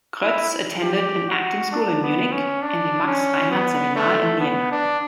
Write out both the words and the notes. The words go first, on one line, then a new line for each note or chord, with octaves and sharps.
Kroetz attended an acting school in Munich and the Max-Reinhardt-Seminar in Vienna.
E4
G4
F#4
D4
B3
C#4
D4
C#4
B3
A3
B3
D4